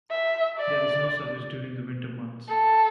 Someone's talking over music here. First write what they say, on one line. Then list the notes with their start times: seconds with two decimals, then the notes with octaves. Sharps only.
There is no service during the winter months.
0.10 E5
0.58 D5
2.49 A4